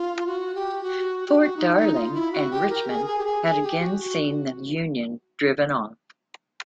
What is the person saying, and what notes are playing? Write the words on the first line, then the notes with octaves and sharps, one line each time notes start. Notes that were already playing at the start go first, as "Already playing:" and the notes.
Fort Darling and Richmond had again seen the Union driven off.
Already playing: F4
F#4
G4
F#4
G4
F#4
D#4
D#4
F4
E4
F#4
G4
A#4
G#4
G#4
G4
G#4
G#4
G4
F#4
F#4